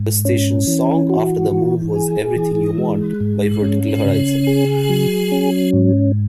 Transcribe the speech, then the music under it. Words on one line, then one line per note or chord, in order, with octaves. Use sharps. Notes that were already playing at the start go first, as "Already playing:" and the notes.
The station's song after the move was "Everything You Want" by Vertical Horizon.
Already playing: G#2
C#4
E3
F#4
E3
G#4
E3
G#3
G#2
C#4
C#3
G#4
F#3
C#4
G#2